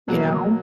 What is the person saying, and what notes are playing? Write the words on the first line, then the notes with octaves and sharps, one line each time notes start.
You know?
B2 F#3 A#3